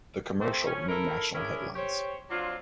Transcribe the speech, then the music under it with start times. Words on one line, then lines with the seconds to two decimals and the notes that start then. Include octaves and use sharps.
The commercial made national headlines.
0.41 C3 A3 C4 C5
0.66 D2 F3 C#4
0.88 E4 A4 A#4
1.35 C#4 D4 E4 G#4 A#4
1.76 G4 C5 C#5
2.30 F#3 C4 D4 F4